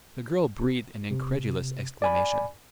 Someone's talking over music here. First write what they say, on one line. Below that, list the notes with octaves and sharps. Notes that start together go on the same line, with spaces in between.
The girl breathed an incredulous exclamation.
C3
D5 G#5 B5